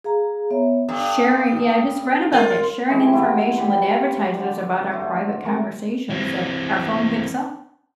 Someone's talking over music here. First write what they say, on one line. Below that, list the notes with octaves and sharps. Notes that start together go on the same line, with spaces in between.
sharing yeah, I just read about that, sharing information with advertisers about our private conversations that our phone picks up.
G#4 F5 A#5
B3 C#5 E5
G2 A4 D#6
F4 A#4
E3 G#3 E4 G4
F#3 A3 E4 F4
G3 G4 B4
D3 D5
A3 F4 F#4
C3 A#4 G#5 C#6
E3 C4